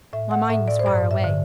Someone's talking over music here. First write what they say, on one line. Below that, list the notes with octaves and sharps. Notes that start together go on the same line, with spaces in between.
My mind was far away.
A2 E5
F#5
A2 E5
D5
C5
G2 D5
E5
D3